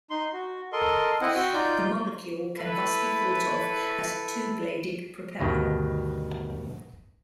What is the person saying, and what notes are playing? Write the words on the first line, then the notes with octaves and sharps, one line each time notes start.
The molecule can thus be thought of as a two-bladed propeller.
D#4 C6
F#4
A4 A#4 D#5 C6
C4 E4 D#5 F#5
F#4 F#5 G5
D#4 F4 D5 G6
E4 A4 B4
D2 G2 B2 D#3